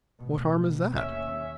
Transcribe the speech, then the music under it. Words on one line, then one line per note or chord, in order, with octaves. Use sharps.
What harm is that?
A1 B2
D#2 C#4 E5